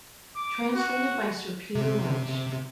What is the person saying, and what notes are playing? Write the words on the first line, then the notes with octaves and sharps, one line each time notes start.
Translated by Sir Peter Wyche.
D6
F#4
C3